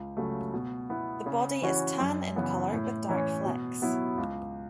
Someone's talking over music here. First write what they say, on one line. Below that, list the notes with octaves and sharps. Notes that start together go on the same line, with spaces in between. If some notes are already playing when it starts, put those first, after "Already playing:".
The body is tan in color with dark flecks.
Already playing: C#2
C#3 F#3 A3
B2
B3 E4
C#3
E3 C#4 F#4
F#2
C#3 E3 B3
A2
E3 C#4
B2
F#3 B3 E4
C#2